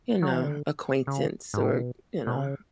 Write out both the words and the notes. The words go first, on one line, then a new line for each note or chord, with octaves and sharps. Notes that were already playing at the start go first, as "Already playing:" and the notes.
you know, acquaintance or, you know.
F#3
E3
D3
C#3
G#2
A2
B2
B2
C#3